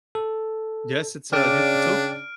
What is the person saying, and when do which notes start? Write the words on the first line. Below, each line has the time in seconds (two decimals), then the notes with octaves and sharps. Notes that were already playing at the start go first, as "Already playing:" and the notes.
Yes, it's, uh, useful too.
0.15 A4
1.33 C#3 D4 D5 G5 F6 D7